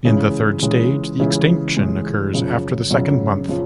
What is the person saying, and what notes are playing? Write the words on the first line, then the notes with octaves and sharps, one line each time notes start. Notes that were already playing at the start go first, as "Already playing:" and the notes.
In the third stage, the "extinction" occurs after the second month.
C#3 E3 G#3
C#3 E3 G#3
C#3 E3 G#3
C#3 E3 G#3
F#2 C#3 F3
F#2 C#3 F3
C#3 F3